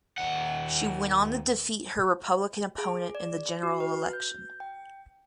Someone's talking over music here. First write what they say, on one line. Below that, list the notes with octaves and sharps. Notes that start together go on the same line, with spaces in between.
She went on to defeat her Republican opponent in the general election.
D#2 F#5
G#4
D5
F#4
B4
G6
G5